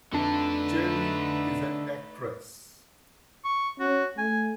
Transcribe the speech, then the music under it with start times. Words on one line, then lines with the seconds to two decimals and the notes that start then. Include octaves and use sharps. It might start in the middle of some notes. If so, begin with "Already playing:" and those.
Cherie is an actress.
0.13 F2 D3 A3 D4 D#4 A4 B4
3.44 C#6
3.80 C#4 F#4
4.18 A3 G#5